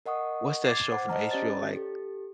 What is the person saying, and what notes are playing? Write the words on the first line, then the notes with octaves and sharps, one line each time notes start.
what's that show from HBO, like
A#4 D#5 F#5 C#6 D#6
D6 G#6 A6 C7
C5 F#5
C5 D#5 A5 A#5 F6
C#4 G4 D5 A6
G4 A4